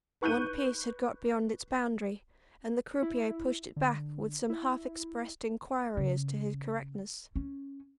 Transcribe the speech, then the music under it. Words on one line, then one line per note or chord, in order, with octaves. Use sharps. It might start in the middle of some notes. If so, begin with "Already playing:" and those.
One piece had got beyond its boundary, and the croupier pushed it back with some half-expressed inquiry as to his correctness.
B4 C#6 F#6 G6 D#7
E4
D3
E4
C#3
C#4